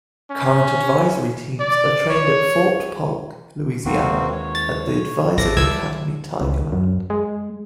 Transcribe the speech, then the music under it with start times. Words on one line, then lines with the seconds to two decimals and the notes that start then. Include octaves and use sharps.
Current Advisory Teams are trained at Fort Polk, Louisiana at the Advisor Academy, Tigerland.
0.31 C#4
1.60 D5
2.10 C#5
3.85 D#2 G#3 A#3 C4 F#4
4.32 C#5
4.55 A6
5.38 A1 E2 E5 A5 D6 A#6
5.57 C#2 F3 G3 E6 G#6
6.41 C#2
6.72 F#2
7.10 G#3